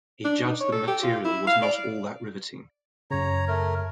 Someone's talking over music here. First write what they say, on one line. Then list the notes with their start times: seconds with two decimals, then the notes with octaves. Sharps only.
He judged the material was "not all that riveting".
0.24 D4
0.43 D#4
0.60 C#5
0.72 A4
0.88 G4
1.03 F4
1.25 E4
1.47 F5
1.62 D5
3.11 F#2 C#3 C#5 A#5
3.48 A3 A#4